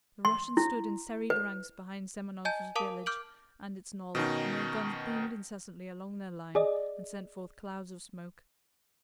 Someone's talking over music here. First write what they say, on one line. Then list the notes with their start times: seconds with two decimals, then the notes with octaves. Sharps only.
The Russians stood in serried ranks behind Semenovsk village and its knoll, and their guns boomed incessantly along their line and sent forth clouds of smoke.
0.25 C6
0.57 E4
1.30 B4
2.45 D#5 G#5 A5 G6
2.75 A#4 F5 A5 D6 D#6 D7
3.06 D6 F6 G6 D7 F#7
4.15 B2 D#3 C#4 D#4
6.55 G#4 D5 D#5